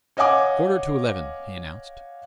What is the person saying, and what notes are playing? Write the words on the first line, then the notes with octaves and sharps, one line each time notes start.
"Quarter to eleven," he announced.
C#5 D#5 F5 F#5 G#5 D6